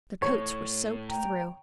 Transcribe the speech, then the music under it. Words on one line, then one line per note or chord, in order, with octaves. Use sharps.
Their coats were soaked through.
A2 A4 C#5
G5 A#5